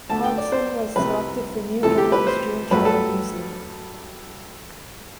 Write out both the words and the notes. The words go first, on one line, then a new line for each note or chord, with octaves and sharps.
Hodgson was selected for England's June tour of New Zealand.
D2 D3 A3 A5
G5
D5
C5
C2 C3 G3 B4
D2 C3 E3 A4
G4
B4
C5
G2 F#3 A3 B4
A4